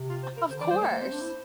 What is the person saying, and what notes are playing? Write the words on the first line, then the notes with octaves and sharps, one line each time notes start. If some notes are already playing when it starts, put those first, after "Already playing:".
Of course.
Already playing: C3
F4
C5
A#4
D3 C5
E3 D5
G3 C5
A3 A#4
A#3 C5
C4
D4
E4